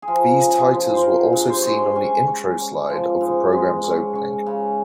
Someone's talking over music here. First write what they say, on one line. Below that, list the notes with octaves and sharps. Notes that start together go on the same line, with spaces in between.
These titles were also seen on the intro slide of the program's opening.
G#4
F3 A#4
C#3
G#4
F3
C5
F3 A#4
G2
C5
G#3 C#5
C5
C#4 G#5
C#4
C#4
F3
G#2
G#3
C#4
C#4
C#3